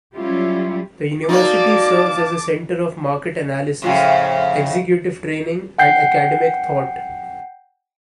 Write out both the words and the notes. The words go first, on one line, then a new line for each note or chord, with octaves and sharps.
The university serves as a centre of market analysis, executive training and academic thought.
F#3 G3 C#4 E4 F4 G4
A#3 C4 D#4 F#4 D5 A5 D6
F2 A2 C#3
F#5 G5 G6 C7